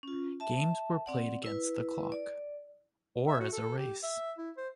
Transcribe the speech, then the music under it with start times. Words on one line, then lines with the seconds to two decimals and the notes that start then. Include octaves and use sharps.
Games were played against the clock, or as a race.
0.03 C#4 F4
0.40 E5 A5
1.06 C4 D5 F#5
1.44 E4 B4
2.12 D5
3.28 E5
3.40 F#4
3.52 A4
3.78 G4
4.03 E5
4.38 E4
4.57 C5